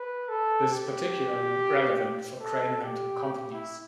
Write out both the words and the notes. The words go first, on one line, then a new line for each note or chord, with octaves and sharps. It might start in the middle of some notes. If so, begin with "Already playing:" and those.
This is particularly relevant for crane rental companies.
Already playing: B4
A4
G4
A4
G4
G4
E4